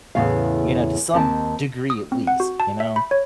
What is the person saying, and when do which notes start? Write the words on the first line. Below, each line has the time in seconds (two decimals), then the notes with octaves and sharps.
You know, to some degree at least, you know
0.15 E2 A2 C#3 B3 F5
1.14 D#2 C4 A5
1.90 D#6
2.12 C4
2.27 F#5
2.40 F#4
2.60 A5
2.80 E5
2.96 B5
3.11 C#5